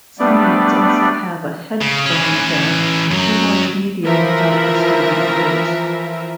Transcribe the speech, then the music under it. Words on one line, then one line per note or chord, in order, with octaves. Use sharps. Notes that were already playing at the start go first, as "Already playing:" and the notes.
Some units also have a headphone jack to watch media without disturbing others.
G3 A3 B3 D4 D5
C#3
E3 C#4
F#2 F#3
E3 F3 A#4 E5